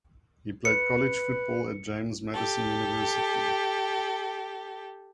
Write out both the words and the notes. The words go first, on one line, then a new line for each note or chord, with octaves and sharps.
He played college football at James Madison University.
B4 C#7
G4 A4